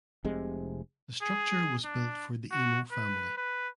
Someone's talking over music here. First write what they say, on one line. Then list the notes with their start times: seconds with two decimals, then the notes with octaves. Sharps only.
The structure was built for the Emo family.
0.25 F1 C3 G#3
1.22 G#4
1.85 D4
2.51 F#4
2.92 B4
3.38 B4